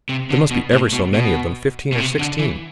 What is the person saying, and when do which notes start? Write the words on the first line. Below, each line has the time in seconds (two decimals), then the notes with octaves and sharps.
There must be ever so many of them, fifteen or sixteen.
0.09 C3
0.30 D3
0.51 B2
0.72 A2
0.93 B2
1.14 B2
1.92 B2
1.98 C3
2.19 D3
2.39 E3